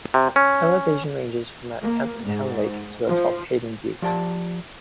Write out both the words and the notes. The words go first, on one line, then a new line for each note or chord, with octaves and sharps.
Elevation ranges from at Tempe Town Lake to atop Hayden Butte.
C3
C#4
A#3
G#2
F3
F3 G4 D5 A5